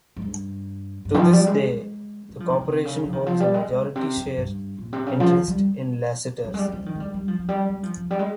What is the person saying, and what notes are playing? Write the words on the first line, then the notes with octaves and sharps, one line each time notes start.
To this day, the Corporation holds a majority share interest in Lassiter's.
G#2
G2
G2
D#3
F3
G3
G#3
G#3
G3
F3
D#3
C#3
C3
C#3
F3
D#3
F3
G3
G#3
G#3
A#2
C3
F2
G2
A#2
C3
C#3
F3
D#3
G3
G3
G#3
G3
G3
F3
D#3
G#3
G3
G3
F3
F3
G3
G3
F3
F3
G3
G#3